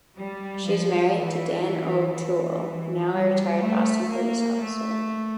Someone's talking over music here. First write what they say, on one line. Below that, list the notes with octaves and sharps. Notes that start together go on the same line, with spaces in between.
She is married to Dan O'Toole, now a retired Boston police officer.
G3
F3
E3
E3
G3
A3
A#3
A3